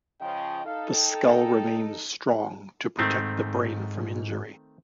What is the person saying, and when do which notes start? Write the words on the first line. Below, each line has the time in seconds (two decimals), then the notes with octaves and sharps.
The skull remains strong to protect the brain from injury.
0.21 C#3 F3 D#5 G5
0.65 D#4 A4 F5
0.94 G5
2.99 G#2 D#3 A3 C4